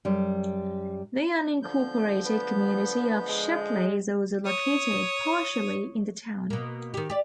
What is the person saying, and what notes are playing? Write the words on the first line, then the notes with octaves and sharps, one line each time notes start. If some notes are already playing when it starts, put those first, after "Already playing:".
The unincorporated community of Shepley is also located partially in the town.
F#2 G3
D3 F3 G6
B3
G#3
C#5 D#6
B2 A#3
D#3 G4
G4 D5